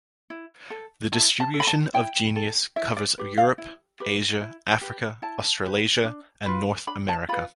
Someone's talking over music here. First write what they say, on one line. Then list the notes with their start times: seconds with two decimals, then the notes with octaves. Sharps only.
The distribution of the genus covers Europe, Asia, Africa, Australasia and North America.
0.30 E4
0.70 A4
1.12 E4 A5
1.40 A5
1.54 A4
1.60 B5
1.67 A5
1.94 E4 G5
2.36 A4
2.76 E4 E5
2.97 D5
3.18 G4 B4
3.38 F5
3.58 E4
4.00 G4 B4
4.41 E4
4.81 G4 B4
5.22 E4 A5
5.65 G4 B4
6.05 D4
6.46 F4 B4
6.87 D4 B5
7.09 A5
7.29 F4 B5
7.33 B4